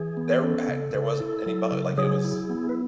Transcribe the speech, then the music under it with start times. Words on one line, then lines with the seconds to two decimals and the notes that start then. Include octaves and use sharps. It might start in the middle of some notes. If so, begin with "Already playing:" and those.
There had there wasn't any bug, like, it was
Already playing: E3 G#4
0.17 B3
0.38 G#4
0.42 C#4 A4
0.69 C#3
0.94 C#3
1.20 E4
1.46 F#3
1.72 C#3
1.98 F#3 G#4
2.24 E4
2.50 B3
2.69 B4